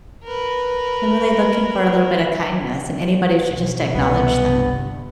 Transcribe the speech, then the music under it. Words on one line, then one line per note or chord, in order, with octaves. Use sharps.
They're really looking for a little bit a kindness, and anybody should just acknowledge them.
A#4 B4
B1
C2 B3
G1 G2 C3